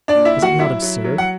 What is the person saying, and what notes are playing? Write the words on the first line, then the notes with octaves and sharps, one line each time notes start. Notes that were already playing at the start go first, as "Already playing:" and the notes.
Was it not absurd?
D4 D5
A#2
E4 E5
A#2
F#4 F#5
F#3 E4 E5
F#3
F#3
F#5